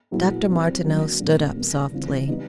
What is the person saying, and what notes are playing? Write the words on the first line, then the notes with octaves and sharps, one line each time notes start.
Dr. Martineau stood up softly.
A#2 F#3 B3 E4 G#4
G3 C4 E4
D3 F#3 A#3
A#2 F#3 A3 C4
D#3 G3 B3
C#3 E3 G3 C4 F4
G3 B3 D#4